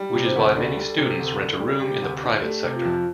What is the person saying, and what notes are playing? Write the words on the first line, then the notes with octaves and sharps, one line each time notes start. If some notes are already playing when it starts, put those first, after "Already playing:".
Which is why many students rent a room in the private sector.
Already playing: G3
G4
C3
C5
D2 C5
D4 A4
G3
C3
D2
D4
G3
C3 G4
D2
D4
A3 G4
C3
F4
F2